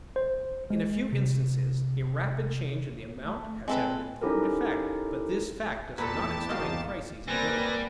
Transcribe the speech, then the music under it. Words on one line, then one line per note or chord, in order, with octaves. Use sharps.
In a few instances a rapid change in the amount has had an important effect, but this fact does not explain crises in general.
C5
G#3
C3
A3
G#3 C4 A4 B4
C#4 D#4 E4 G4 A4 A#4
E2 A#2 G4 A4 B4 A5 A#5
G#2 A#3 F#4 D#5 F5
G3 A#3 C4 B4 G#5 A#6